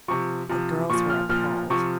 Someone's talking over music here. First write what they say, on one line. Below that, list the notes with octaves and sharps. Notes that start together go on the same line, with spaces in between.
The girls were appalled.
C3 F3 C#6
C3 F3
A#2 F3 C#6
F6
A#2 F3 F6
C3 F3 C#6